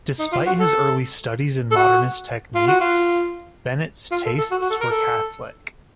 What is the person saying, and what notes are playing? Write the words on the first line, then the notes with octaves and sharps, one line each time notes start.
Despite his early studies in modernist techniques, Bennett's tastes were Catholic.
D#4
F4
F#4
A4
A4
F#4
F4
F#4
F4
F4
A4
A4
F#4
F#4
A4
A#4
A4